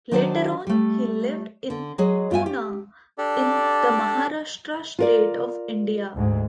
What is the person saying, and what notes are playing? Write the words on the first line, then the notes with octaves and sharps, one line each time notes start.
Later on he lived in Poona in the Maharashtra state of India.
D#3 F#3 D4 C5 A5
G3 A3
D3
F#3 G#3 G#4 D#5
G2 B3 E5 G#5
G4
D4 G4 A4 D5
F4 A#4 D5
D2 G#2